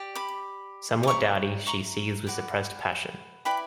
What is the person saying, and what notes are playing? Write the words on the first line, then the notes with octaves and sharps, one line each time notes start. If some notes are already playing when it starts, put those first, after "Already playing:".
Somewhat dowdy, she seethes with suppressed passion.
Already playing: G4 D5
B5 D6
D6
E4 A#4 D5 A#5 C#6
A#5 C#6
F#4 B4 D5
E4 B4 D5 G5 B5